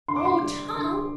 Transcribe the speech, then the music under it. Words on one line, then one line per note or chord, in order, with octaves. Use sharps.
"Oh, Tom!"
D3 C6
D6
C6
G3
D3